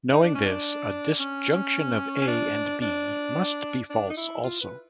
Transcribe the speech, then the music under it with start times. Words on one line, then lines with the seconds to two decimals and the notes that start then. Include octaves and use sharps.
Knowing this, a disjunction of A and B must be false also.
0.12 D#4
0.24 D4
0.35 C#4
0.46 D4
1.20 C#4
2.21 C#4
2.28 D4
2.82 D4
3.90 D4
4.10 D#4
4.17 E4
4.44 F4
4.61 B4